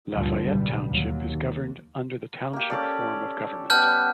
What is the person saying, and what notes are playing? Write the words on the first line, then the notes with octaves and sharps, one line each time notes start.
Lafayette Township is governed under the Township form of government.
D2 G2 A#2 F3 F#3
B1 A2 D3 G3
D#2 F#3
D#2
A#3 G4
C#4 A4 D5
G3 B3 A5 F6 G6